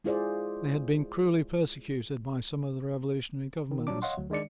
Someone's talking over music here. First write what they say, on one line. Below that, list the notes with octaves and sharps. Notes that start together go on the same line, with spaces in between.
They had been cruelly persecuted by some of the revolutionary governments.
G#3 E4 F4 G#4 C5 D5
D#3
A#2 F#3 G3 D4 D6
C#5 D#5 F5 F#5 C6
D2 F#3
D#3 G#3 D4 D5 C#7